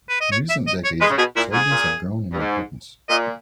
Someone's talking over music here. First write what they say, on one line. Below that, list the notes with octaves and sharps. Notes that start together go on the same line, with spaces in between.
In recent decades soybeans have grown in importance.
B4
D#5
C#5
E5
D#5
C#5
G#3 B4
C#3
B2 G#4
A#2 E4
G#2 G#4
A#2
G2
G#2
A#2 D#5